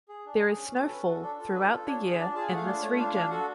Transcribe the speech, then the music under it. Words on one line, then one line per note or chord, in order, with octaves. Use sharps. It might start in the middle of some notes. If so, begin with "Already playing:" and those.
There is snowfall throughout the year in this region.
G#4
D4
G#4
C#4
F#4
A4
C#4 B4
F#4 A4
D4 A4
F4 A4
D4 B4
F4 A4
D4 C#5
F4 G#4
D4 D5
F4 G#4 A5
G#5
A3 F#5
F5
D4 F4 D5
A3 C#5
D4 F4 F5
D4 F5
F#4 A4 F#5